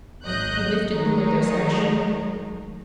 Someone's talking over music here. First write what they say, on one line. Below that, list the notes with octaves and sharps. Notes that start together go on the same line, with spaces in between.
He lifted the window-sash.
G#1 F#3 D#5 F#6 G6
D#3 F#3 G#3 A3 D#4